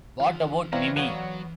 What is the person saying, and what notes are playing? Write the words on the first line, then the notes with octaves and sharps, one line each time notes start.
What About Mimi?
E3 F4 F#5
C4 E4 B4 C#5 D5 F5 A#5
F#3 B3 C#5